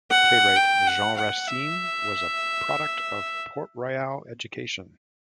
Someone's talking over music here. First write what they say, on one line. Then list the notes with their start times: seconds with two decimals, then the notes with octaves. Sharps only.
Playwright Jean Racine was a product of Port-Royal education.
0.10 F#5
0.56 G5
0.87 F#5
1.17 F#5
1.48 E5